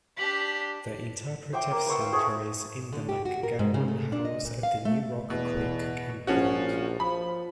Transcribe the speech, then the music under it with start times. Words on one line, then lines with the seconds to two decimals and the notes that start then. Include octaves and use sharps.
The interpretive centre is in the McGowan House at the new Rock Creek Campground.
0.17 D4 G4 B6 F#7
1.53 C5 E5 G5 D6
1.71 A#3
1.86 B4 C5 C#6 E6
2.01 F5
2.12 A3 G#4 C5 C#6
2.93 D3
3.09 G4
3.25 F#4
3.43 A#4
3.59 G#2
3.74 C#3
3.88 A3
4.12 D4
4.25 D#5
4.45 A#2
4.63 F5
4.85 A3
5.30 E2 B2
6.27 A#1 F3 C#4 F#4
7.00 F3 B5